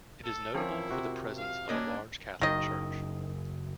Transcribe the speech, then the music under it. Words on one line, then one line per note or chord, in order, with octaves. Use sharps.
It is notable for the presence of a large catholic church.
A4
F3 C4 C#4 E4 F4 A#4
C3 F#4
F5
A#3 C#4 D4 D#5
F#1 D#3 D#5